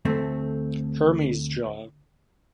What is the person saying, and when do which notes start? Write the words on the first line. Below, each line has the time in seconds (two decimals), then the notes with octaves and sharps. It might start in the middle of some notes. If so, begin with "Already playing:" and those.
Hermes Jaw.
0.05 D2 A3 C4